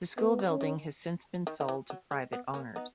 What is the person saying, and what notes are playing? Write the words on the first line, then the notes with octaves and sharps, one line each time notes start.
The school building has since been sold to private owners.
D#3 B3
C#3
C#4
D#3
D#3
D#3
E3
F#3
G#3
B3
A#3 C#4
B3 D#4